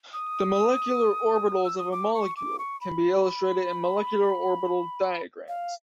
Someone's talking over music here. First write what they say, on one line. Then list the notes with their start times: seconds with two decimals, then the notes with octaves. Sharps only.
The molecular orbitals of a molecule can be illustrated in molecular orbital diagrams.
0.13 D#6
1.64 E6
1.78 D#6
1.92 D6
2.14 C#6
2.37 D6
2.59 C#6
2.81 B5
5.48 F5